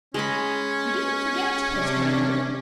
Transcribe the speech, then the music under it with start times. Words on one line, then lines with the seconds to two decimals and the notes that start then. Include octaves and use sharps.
"You didn't forget to post my letter?"
0.14 G#3 C#4 D#5 B5
1.68 C3 D4